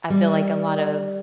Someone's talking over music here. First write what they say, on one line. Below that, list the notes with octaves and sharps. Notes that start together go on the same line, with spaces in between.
I feel like, a lot of
G3